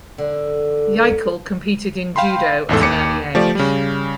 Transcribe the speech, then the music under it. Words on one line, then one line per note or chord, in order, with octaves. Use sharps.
Jaeckel competed in Judo at an early age.
D3
F5 G5 B5 C6
A1 E2 G#2 A4
D#2 D6 C#7
F3 A3 G4 D5
C#3 G3